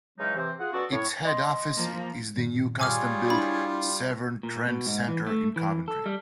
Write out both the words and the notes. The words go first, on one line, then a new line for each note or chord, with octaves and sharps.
Its head office is the new custom-built "Severn Trent Centre" in Coventry.
C#3 E3 F#3 G#3 C#4 D#4
C3 E3 C4
F4 G#4 F#5
F#3 B3 C#4 F#4 A4 D5
A2 C#5
D#5 C6
F3 A#3
G2 A#2 D#3
G3 F4 G#4 C#5 G#5 D6 F6
D4 E4 B5
A#2
B2
G#2
E3
A3
E3
A4
G3